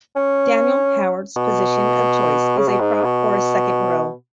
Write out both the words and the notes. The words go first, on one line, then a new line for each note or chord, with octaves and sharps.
Daniel Howard's position of choice is a prop or a second-row.
C#4
B2
C#3
B2
G#2
B2